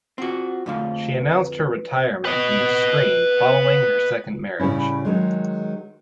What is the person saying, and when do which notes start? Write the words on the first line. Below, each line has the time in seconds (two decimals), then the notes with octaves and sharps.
She announced her retirement from the screen following her second marriage.
0.18 C4 F4 F#4 F#5
0.66 F2 D3 F3 A3 F5
1.11 B4
2.25 B4 D#5
4.59 A2 C#3 G3 C#4 E4
5.05 D#3 F#3 G#3